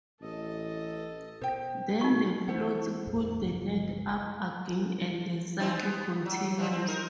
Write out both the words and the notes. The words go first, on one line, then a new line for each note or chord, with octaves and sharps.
Then the floats pull the net up again and the cycle continues.
A1 A4 D#5
B2 C5 G5
D#4 F#4 C#6
E3 E4 C5 F#5
F2 A#2 E3
G1 C#2 G2
E3 C4 D#4
B3
F#3
E3 F3 G3
C4
D#4 A#4